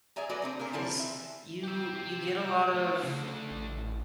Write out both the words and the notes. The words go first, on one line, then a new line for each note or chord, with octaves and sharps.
'cause you you get a lot of
G#4 D5 E5 G#5 A#5
F#3 A#3 F#4 A4 B4 D5
C4 D4 A4
A#3 G#4 A#4
F3 C4 E4 A5
E3 E5
G4 E5
A3 D4
C#3
A1